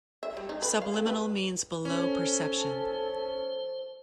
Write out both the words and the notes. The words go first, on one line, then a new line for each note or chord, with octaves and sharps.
Subliminal means below perception.
E5
G3
D#4
B4
F5
A4
B4
C#4 A4 C5